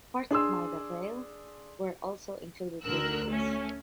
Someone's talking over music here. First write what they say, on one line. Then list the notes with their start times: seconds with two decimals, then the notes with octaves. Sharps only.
Parts of Maida Vale were also included within this.
0.31 D4 G#4 C6 E6
2.83 D2 D3 A#4 E6 F#6
3.27 A3 C#4